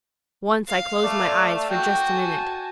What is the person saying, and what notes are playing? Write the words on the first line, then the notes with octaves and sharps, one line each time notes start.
Once I closed my eyes for just a minute.
F5
A3 D5
F#4 G5
G#5 A5